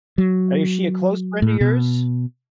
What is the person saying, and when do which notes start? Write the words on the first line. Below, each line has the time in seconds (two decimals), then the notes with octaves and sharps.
Uh, is she a close friend of yours?
0.18 F#3
1.42 A2
1.61 B2